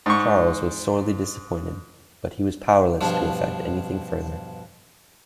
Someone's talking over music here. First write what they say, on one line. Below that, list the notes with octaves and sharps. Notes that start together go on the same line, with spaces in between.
Charles was sorely disappointed, but he was powerless to effect anything further.
G#2 C#6
G2 B2 F3 D4